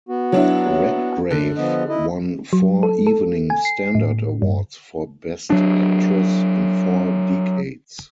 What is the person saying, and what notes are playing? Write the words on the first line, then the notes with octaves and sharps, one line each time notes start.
Redgrave won four Evening Standard Awards for Best Actress in four decades.
B3 F#4
F#3 D4 E4
F#2 D3
F3 B3 D#5
E4 D#5
F#3
A4
A4
G#5
C7
A2
G2
F#3 D4